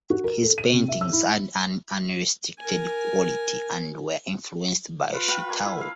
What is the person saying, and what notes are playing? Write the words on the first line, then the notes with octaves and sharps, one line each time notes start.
His paintings had an unrestricted quality and were influenced by Shitao.
F#4
A#4
A4
D#7
C3
E5
E6
E4
A#4 G#5
F4 B4
F4 B4 F5 G5
A#3 G#5
E4
F5